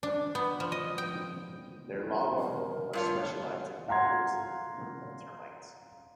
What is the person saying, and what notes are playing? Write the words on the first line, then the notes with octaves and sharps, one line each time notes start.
Their larvae are specialized predators of termites.
D4
B3
F3
D#5
G5
A#4
G2 F4 C#5
F5 F#5 A#5 C6 G#6